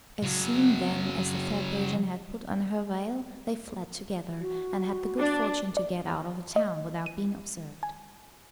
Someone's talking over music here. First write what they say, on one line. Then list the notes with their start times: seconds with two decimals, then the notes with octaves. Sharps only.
As soon, then, as the fair Persian had put on her veil they fled together, and had the good fortune to get out of the town without being observed.
0.23 C#3 F#3
4.41 F#4
5.18 D4
5.77 D5
6.56 D#5
7.06 D#7
7.83 G#5